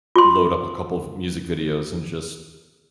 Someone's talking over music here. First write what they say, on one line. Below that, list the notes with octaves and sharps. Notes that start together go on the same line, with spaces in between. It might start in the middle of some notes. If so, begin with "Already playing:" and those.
load up a couple of music videos and just
F4 C6